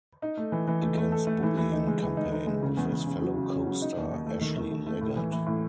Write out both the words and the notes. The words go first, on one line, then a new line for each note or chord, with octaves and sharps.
Against Bullying campaign with his fellow co-star Ashley Leggat.
D#4
A3
E3
E3
A3
A3
A4
A3
E3
E3
D#4
G#3
E3
D#4
D#4
G#3
C#3
E2
E2
C#3
F#3
C#3
C#4
F#3
D#4
D#2
D#2
A3
D#3
D#3
D#3
A3
A2
E3
E3
A2